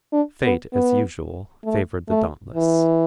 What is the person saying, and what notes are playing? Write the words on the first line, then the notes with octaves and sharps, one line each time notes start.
Fate, as usual, favoured the dauntless.
D4
B3
B3
A3
A3
E3